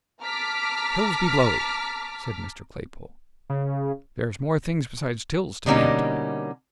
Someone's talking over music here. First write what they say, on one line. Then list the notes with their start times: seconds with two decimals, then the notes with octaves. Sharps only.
'Tills be blowed!' said Mr. Claypole; 'there's more things besides tills to be emptied.'
0.23 A5 A#5 D6 F6 B6
3.50 C#3
5.66 B2 D3 G3 A#3 C#4 D#4